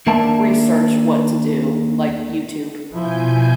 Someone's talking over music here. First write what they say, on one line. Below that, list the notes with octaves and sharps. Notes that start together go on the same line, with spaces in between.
research what to do, like YouTube.
D#2 A#3 D4 A#4 E5 A5
B2 F3 E4 G#5 G6